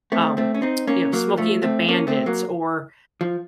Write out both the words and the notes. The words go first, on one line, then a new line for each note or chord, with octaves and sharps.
um, you know, Smokey and the Bandits or,
A3 C4
A3 C4
C#4
C4 D#4
A#3 C#4
F#3 A#3
F3 A3
A3 C4
A#3 C#4
A3 C4
F#3 A#3
F3